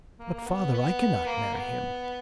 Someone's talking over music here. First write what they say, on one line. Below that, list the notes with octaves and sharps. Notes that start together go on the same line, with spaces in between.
But, father, I cannot marry him.
A#3
A#3
B3
B3
A#3
B3